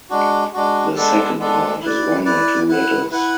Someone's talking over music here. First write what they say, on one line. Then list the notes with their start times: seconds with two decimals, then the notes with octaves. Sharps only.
The second part is one or two letters.
0.10 G#3 D4 F#4
0.54 G#3 D4 F#4
0.96 G#3 B3 D4 A4
1.39 G#3 B3 D4 A4
1.82 E4 B4 D5
2.25 E4 B4 D5
2.68 E4 B4 F#5
3.11 E4 B4 F#5